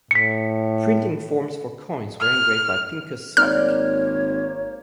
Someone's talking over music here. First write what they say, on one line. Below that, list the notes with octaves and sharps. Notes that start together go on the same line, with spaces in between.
Printing forms for coins were engraved by Pinkus Szwarc.
A2 B6 C#7
F6
G#1 A#3 C#5 D5 F6